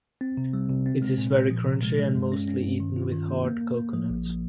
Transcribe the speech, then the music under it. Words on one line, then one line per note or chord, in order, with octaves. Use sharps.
It is very crunchy and mostly eaten with hard coconut.
C4
C3
G3
C3
C4
G#3
A#2
A#2
F3
C3
G#3
G#3
G2
C#4
C#4
G2
D#3
F4
D#3
A#3
A#3
A#3
A#3
F3
A#1
F3